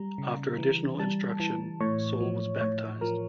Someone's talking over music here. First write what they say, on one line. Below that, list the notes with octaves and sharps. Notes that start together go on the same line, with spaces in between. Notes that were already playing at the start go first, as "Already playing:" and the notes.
After additional instruction, Saul was baptized.
Already playing: G3 A#5
C#3
E3
G3 A5
E3
A2 C#5
F3
A2 C#5
F3 A#4